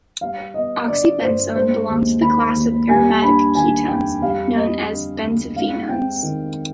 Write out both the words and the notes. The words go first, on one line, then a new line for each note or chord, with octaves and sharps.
Oxybenzone belongs to the class of aromatic ketones known as benzophenones.
G3 F5
B3 D#5
D3 D5
G2 C5
G#3 C5
D#2
D#3 B5
D#2
G3 G#5
D4 B5
D#3 G#5
F2 G5
G3 F5
C4 D#5
D3
D2
G#3 F5
C4 G5
D#3